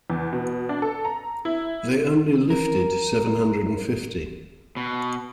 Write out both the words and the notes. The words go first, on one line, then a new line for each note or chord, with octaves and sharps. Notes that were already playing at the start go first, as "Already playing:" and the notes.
They only lifted seven hundred and fifty.
E2
B2
D4
A4
A#5
E4
A#4
B2